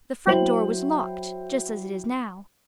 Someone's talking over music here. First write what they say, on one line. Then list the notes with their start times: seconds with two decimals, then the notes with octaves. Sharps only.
The front door was locked, just as it is now.
0.27 F#3 E4 C5 G5 F#7